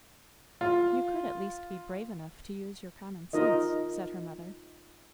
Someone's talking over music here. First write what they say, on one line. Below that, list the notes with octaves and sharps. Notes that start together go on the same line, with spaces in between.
"You could at least be brave enough to use your common sense," said her mother.
F4
D#4 F4 A#4 D#5